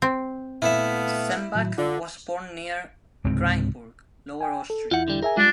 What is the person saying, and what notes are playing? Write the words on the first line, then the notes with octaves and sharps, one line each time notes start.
Sembach was born near Greinburg, Lower Austria.
C4
A#2 A3 B3 E4 E5 F5
A2 D#3 F#3
D3 F4
C#2 G#2 C3 C4
G5 G#5
A4
E2 E4 F4 F#5 G6
D3 G3
G#4 A#4 E5 G#5
G3 G#3 D4 F4